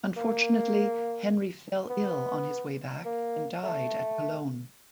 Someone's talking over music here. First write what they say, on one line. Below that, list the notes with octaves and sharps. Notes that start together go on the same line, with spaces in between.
Unfortunately, Henry fell ill on his way back and died at Cologne.
A#3
B3
A#3
A3